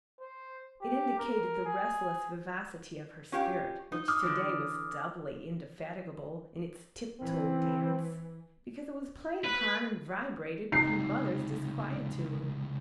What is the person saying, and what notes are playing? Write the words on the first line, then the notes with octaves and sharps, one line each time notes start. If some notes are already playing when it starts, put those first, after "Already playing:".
It indicated the restless vivacity of her spirit, which to-day was doubly indefatigable in its tip-toe dance, because it was played upon and vibrated with her mother's disquietude.
C5
G4
A#4
G#4
C#4 F4 G4
D#4
D6 D#6 F6
D3 E3
E3 C4
B4
C#2 C3 D#4 C7